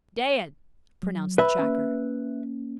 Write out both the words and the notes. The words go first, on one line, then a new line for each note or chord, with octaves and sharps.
"Dead!" pronounced the tracker.
F#3
B4 E5
A#3 C#4